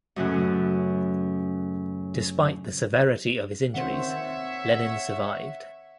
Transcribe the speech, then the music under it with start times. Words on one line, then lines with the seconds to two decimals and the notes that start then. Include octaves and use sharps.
Despite the severity of his injuries, Lenin survived.
0.16 F#2 A2 C#3 C#4 B4 F#6
3.75 D#3 C4 C5 C#5 E5 F#5